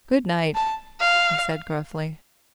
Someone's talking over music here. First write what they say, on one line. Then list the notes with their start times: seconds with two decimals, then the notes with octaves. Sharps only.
"Good-night!" he said gruffly.
0.55 A5
1.00 F5